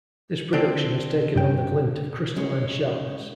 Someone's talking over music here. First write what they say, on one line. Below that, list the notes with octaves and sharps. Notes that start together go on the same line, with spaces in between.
This production has taken on the glint of crystalline sharpness.
D3 C4
G2 G5
G#3 C#4